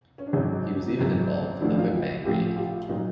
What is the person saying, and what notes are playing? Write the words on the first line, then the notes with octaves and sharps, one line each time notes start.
He was even involved in the Limbang raid.
C#4
D4
G#1 F#2 C#3 F#3 C#4 D#4
G#1 F#2 C#3 F#3
A1 A2 F3 D4 E4
D#4 F4
A1 A2 F3 F4 G4
F4 G4
A#2 F#3 D#4 F4